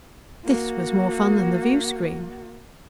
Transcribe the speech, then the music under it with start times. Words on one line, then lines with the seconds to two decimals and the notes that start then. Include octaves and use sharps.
This was more fun than the viewscreen.
0.45 A#3 F#4